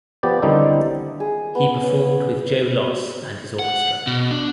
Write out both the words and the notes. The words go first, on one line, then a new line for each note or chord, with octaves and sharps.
He performed with Joe Loss and his orchestra.
F3 B3 G4 D5
D3 D#3 G3 C4 D#4 E4
G#4
B3
C#5
F#5
B2
D4